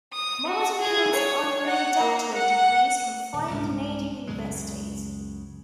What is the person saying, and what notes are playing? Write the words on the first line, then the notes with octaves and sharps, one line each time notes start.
Martin holds honorary doctorate degrees from five Canadian universities.
D#6
F#4
G#4
C#5
F#5
A#3
F#5
D#1
C2 G#2 C#4 D4
C#2 F#2 C#3 G#3